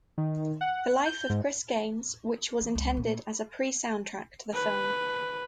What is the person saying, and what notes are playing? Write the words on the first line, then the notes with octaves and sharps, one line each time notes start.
The Life of Chris Gaines, which was intended as a 'pre-soundtrack' to the film.
D#3
F#5
G6
G#2
E3
C#2 G2
A#2
B4